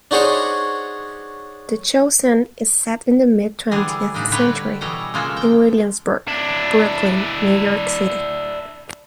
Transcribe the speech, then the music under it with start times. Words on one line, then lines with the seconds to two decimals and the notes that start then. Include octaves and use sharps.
"The Chosen" is set in the mid-twentieth Century, in Williamsburg, Brooklyn, New York City.
0.11 D4 D#4 F#4 G#4 C5 C#5
3.71 D3 E3 G3 G#4
4.14 A2 C#3 D4 D#4
4.32 D3 G3 B4 C#5 D5 G5
4.81 B2 E3 G3 C#5 D#5 A#5
5.14 C#3 F3 G#3 A#3 F4 A4
5.37 G5
6.28 D4 E4